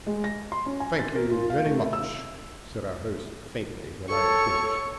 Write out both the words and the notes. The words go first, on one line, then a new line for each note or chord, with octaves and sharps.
"Thank you very much," said our host faintly when I had finished.
G#3
A#6
C6
C#4
G#5
A6
A#4
F4
F5
A3
E5
E6
A4 C#5 C#6